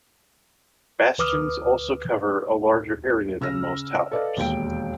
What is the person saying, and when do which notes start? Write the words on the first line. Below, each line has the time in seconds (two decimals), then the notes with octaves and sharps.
Bastions also cover a larger area than most towers.
1.18 D2 B4 D6 D#6 F6
3.41 C#3 E6 F6 A#6
4.11 A4 B4 D5 D#5 F5
4.37 E1 D#2 G5 D7